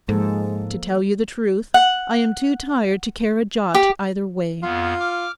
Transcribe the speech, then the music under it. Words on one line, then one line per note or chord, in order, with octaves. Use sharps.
'To tell you the truth, I am too tired to care a jot either way.
G#2 F3 G#3 A#3 A4
F#5
G4
F2 B3 F4
D6 F6